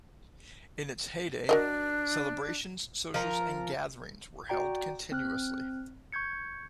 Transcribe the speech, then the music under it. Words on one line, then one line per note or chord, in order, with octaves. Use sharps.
In its heyday celebrations, socials, and gatherings where held continuously.
F#3 D4 A#4 D#5
F3 A#4
F#4 D5 G5 A#5
C4 F6 F#6
C#6 G6 G#6 C#7